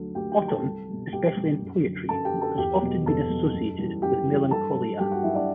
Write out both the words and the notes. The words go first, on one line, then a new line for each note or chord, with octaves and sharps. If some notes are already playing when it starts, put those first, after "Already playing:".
Autumn, especially in poetry, has often been associated with melancholia.
Already playing: D2 D3 F#3 A4
D2 G4 G5
G4 G5
D3 F#3
A4 A5
C2
B2 G3
C2 G4 G5
B2 G3
F#2
D3 F#3
F#2 A4 A5
G4 G5
D3 F#3
A4 A5
E2 G4 G5
B2 F#3
E2 A4 A5
B2 F#3
F#2
E3 G3
F#2 G4 G5
E3 G3
G2 A4 A5
F#3
G2 G4 G5
F#4 F#5
F#3 E4 E5
D4 D5